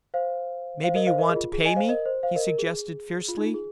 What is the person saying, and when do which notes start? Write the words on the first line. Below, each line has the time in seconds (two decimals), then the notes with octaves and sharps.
"Maybe you want to pay me?" he suggested fiercely.
0.14 C5 F5
0.84 C5 F5
0.95 A#4 D#5
1.07 C5 F5
1.18 A#4 D#5
1.29 G#4
1.36 F4
1.53 G#4
1.65 D#5 G#5
1.76 C5 F5
1.88 A#4 D#5
2.05 C5
2.23 C5 F5
2.36 A#4 D#5
2.47 A#4
2.58 G#4
3.29 F4
3.38 D#4
3.46 F4
3.54 G#4